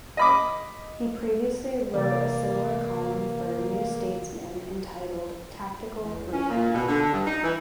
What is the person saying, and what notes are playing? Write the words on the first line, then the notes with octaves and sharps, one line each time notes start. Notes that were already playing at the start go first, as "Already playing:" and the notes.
He previously wrote a similar column for "New Statesman", entitled 'Tactical Briefing'.
D#5 B5 D6
C3 E3 A#3 D5
E2
C#4
A#2
B2
D3
G2
D#4
E3